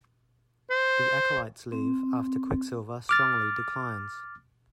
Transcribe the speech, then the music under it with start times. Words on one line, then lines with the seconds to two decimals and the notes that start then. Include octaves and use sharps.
The Acolytes leave after Quicksilver strongly declines.
0.70 C5
1.72 C4
3.09 D6 F6 A6